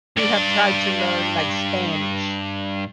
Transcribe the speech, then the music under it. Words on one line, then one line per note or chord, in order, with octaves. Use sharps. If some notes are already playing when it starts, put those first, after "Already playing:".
who have tried to learn, like, Spanish.
G2 D5